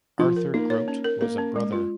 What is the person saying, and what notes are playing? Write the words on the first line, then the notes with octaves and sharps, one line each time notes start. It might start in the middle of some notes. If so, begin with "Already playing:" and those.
Arthur Grote was a brother.
F3 F4
A#4
A#3 D#4
C#5
C#4
A#4
A#3 A#4
C#4
G#3
F4